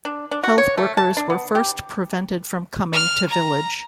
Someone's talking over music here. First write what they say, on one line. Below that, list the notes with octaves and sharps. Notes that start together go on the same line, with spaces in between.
Health workers were first prevented from coming to village.
D4
D4
F#4
C#5
A3
A5
D4
B3
G4
F6
A#5